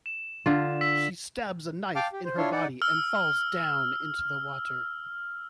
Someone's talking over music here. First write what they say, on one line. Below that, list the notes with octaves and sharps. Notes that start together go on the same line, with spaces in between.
She stabs a knife in her body and falls down into the water.
E7
D3 F4
E6 B6
F5 G5 A5 D6 F6
G4
C5
D4 E4 F4 C#5 C6
D#4 D5 F#5
E6 F6